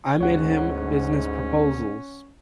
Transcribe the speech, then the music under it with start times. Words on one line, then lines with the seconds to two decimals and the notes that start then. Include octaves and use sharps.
I made him business proposals.
0.20 D2 G#2 C#4 C#5 F#5